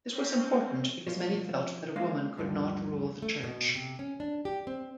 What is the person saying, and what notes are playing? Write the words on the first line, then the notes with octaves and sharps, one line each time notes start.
This was important because many felt that a woman could not rule the church.
A#3 C4 C#4 C5
B2 F3
G#3 A#3 C4 F5
D2 G2 D3 F3 G3
A3
B2
C3
C#4
D4
G4
C4